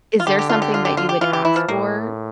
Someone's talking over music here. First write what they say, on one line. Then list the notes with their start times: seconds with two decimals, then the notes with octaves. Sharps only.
is there something that you would ask for,
0.20 F4
0.27 D3 G4
0.39 G4
0.49 F4
0.62 G4
0.74 F4
0.85 G4
0.97 F4
1.09 G4
1.21 E3 F4
1.33 G4
1.45 E4
1.56 F3
1.68 A2 A#3